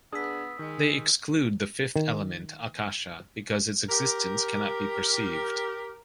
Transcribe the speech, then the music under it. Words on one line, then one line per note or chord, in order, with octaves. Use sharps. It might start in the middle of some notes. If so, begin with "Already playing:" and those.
They exclude the fifth element, Akasha, because its existence cannot be perceived.
B3 D4 G#4 D#6 E6 B6
D#3 G#3
D#3
G4 A#4